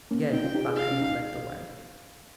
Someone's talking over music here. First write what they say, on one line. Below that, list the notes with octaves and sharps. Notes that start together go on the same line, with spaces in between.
Again Van Emmon led the way.
A#3 C#4
C4 D#4 G5
C#4 F4
D#4 G4
F4 G#4
F5
C#4
D#4